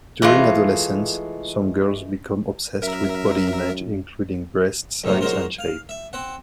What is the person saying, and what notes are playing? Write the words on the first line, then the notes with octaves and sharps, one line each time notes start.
During adolescence, some girls become obsessed with body image including breast size and shape.
E3 G#3 A3 F4
F#2 A#4 E5
B1 A2 C3 F#3 A#3
F#3 G#3 F4 A#4 C5
F5
E5
C4 F#5